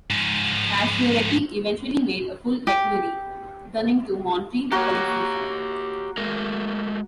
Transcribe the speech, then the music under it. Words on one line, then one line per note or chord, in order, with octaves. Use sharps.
Pacioretty eventually made a full recovery, returning to Montreal the following season.
G#2 F3
G4
A#3 F#4 G4 C#5
G#3 A3 A#4